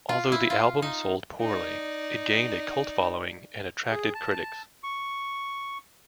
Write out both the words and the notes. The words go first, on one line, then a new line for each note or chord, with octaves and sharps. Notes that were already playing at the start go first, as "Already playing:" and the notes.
Although the album sold poorly, it gained a cult following and attracted critics.
F4
E4
F4
D#4
D#4 D5
G#4
A5
C#6